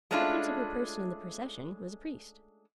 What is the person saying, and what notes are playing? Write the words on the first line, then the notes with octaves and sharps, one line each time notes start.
The principal person in the procession was a priest.
G#3 A3 C#4 D4 E4 F4